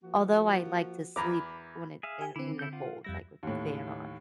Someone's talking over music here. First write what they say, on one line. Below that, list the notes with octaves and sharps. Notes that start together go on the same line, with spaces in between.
Although I like to sleep when it in the in the cold, like with the fan on.
F3 A#3 F#4
E2 A#5 B5 D6
G#4 E5 F5
G4 G#5
D3 E3 C4 E4
E4 A4 G6
F4 F5 F#5
F2 G3 E4 A#6
D#2 A2